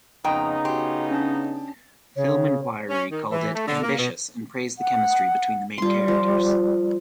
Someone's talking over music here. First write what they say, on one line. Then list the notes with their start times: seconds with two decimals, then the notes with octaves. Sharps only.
Film Inquiry called it "ambitious" and praised the chemistry between the main characters.
0.24 F2 C#3 B3 D#4 G5 A#5 D#6
0.65 F#4 G4 C6
1.11 C#4 D4 A5
2.16 C#3 C#5
2.89 C#4
3.10 D#3
3.30 E3
3.55 A3
3.67 D3
3.82 A#3
3.98 B2
4.79 F#5
5.78 G3 F4 C6
6.08 F3